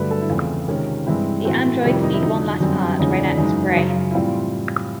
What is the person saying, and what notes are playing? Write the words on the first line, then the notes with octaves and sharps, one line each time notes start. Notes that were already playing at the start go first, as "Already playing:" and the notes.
The androids need one last part; Reinette's brain.
Already playing: G2 D3 F#3 A3 B4
A4
E4
E2 C#3 F3 A3 C4 F4
C3 D#3 G#3 C#4
G2 E3 G#3 C4 E4
A2 E3 A3 C4 F#4
F2 C3 D#3 G3 A#3 E4
D#4
E4
F2 D3 F#3 D#4
F#2 D3 G3 C4
E2 C#3 F3 G#3 C#4 D#4
D4
F#2 C#3 E3 G#3 D#4
F#4
F#2 C#3 F3 F4
E4
A2 E3 G3 C4 F4